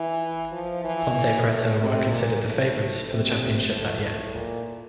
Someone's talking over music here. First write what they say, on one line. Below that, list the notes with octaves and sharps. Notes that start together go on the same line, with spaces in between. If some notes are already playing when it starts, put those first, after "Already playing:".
Ponte Preta were considered the favorites for the championship that year.
Already playing: E3
F3
E3
A2
C3
A#2
A2
C3
A2
A2
A#2